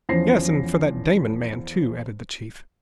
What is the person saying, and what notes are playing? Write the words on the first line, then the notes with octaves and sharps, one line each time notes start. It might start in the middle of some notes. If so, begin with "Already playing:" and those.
"Yes, and for that Damon man, too," added the chief.
E2 F3 C#4 C5 A#6 C7